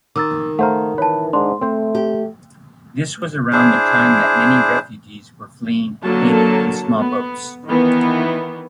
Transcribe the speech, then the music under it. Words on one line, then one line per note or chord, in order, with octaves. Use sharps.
This was around the time that many refugees were fleeing Haiti in small boats.
D#3 D6 E6 A6
A3 C5 F5 F#5 A#5
E3 B4 C#5 A5
G#2 D4 C6
A3 C4 C5
G4
D4 E4 G#4 C5
D3 F#3 A#3 A4 A5
B3
D#3 E3 B3